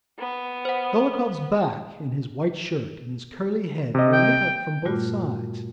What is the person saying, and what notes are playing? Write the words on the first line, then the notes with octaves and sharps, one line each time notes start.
Dolokhov's back in his white shirt, and his curly head, were lit up from both sides.
B3
C5 F#5
C3 D#5
G5
G2 A#2 G3 A3 F4 F#4